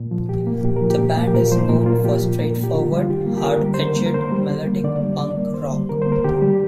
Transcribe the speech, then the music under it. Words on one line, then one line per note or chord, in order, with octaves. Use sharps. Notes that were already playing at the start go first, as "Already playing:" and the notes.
The band is known for straightforward, hard-edged melodic punk rock.
Already playing: A#2
F3
A#2 G4
A#3
A#2 G4
F3 A#4
G4
A#2
A#3
G4
A#2 A#4
F3 C5
A#2 A#4
A#3 F4
A#2 G4
F3
A#2 A#4
A#3
G4
D3 F4
G3
F4
D3 G4
A#3
G4
D3 A#4
G3
C5
D3 A#4
A#3
A#4
D3 C5
G3
D3
A#3
D3 D5
G3
D3 D5
A#3
D3 C5
G3
D3 A#4
A#3 C5
A#4
D3 G4
G3